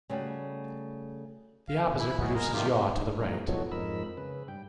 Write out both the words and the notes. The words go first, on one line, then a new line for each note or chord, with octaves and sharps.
The opposite produces yaw to the right.
C#3 G3 A3 F#4
F5
B2 B3
E4 B5
F#3 G#3 B3
G#3 A#4
G2 C3 D#3 F3 F4 G4
D4 D#4
F2 E3 G3 A3 A#5
F3 B3 D#4 F#4 A4 C#5
F2 G#2 D#4 A#4 B5 E6
C#3 B4
G2 G5